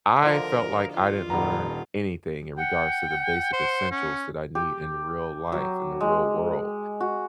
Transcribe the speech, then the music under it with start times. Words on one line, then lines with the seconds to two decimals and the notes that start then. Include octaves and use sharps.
I felt like I didn't learn anything in regards to the basic essentials that I need in real life, in the real world,
0.23 D3 F3 A#3 A#4 D5 D#5
0.93 F4
1.30 D#1 G3 B3 A#5
2.58 F#5 G5
3.10 F#5
3.53 C5
3.91 C#4
4.55 G4
5.52 F#3
6.00 G#3
7.00 F#4